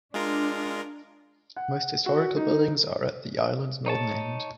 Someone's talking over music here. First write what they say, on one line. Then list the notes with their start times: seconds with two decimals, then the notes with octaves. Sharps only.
Most historical buildings are at the island's northern end.
0.14 G#3 D4 F4 A#4
1.56 F#5
2.06 F#4
2.37 D#4
3.86 D#4 C#5 A5